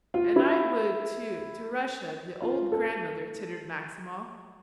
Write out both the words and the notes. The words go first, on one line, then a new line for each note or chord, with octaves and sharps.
"And I would, too ... to Russia, the old grandmother!" tittered Maximov.
F4
E4
F4
A4